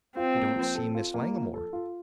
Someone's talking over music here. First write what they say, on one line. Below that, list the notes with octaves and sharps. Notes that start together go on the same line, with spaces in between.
"I don't see Miss Langmore."
C4 F4
A#3
F3
A4
F4
A#3
F3
A4
F4